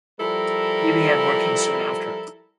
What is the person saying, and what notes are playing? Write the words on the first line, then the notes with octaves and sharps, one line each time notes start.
He began working soon after.
F3 G3 E4 A4 A#4